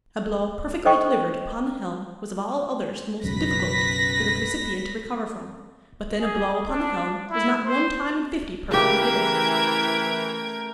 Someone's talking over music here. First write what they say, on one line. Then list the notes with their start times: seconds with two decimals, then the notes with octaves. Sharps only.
A blow perfectly delivered upon the helm was of all others the most difficult for the recipient to recover from, but then a blow upon the helm was not one time in fifty perfectly given.
0.85 A4 C5 D#5 G5 C#6
3.24 B1 F#2 C#3 B4 A#6 B6
6.20 G#4
6.67 D4
7.30 E4
7.65 C5
8.71 C#3 E3 A3 G4 A#4 G5 G#6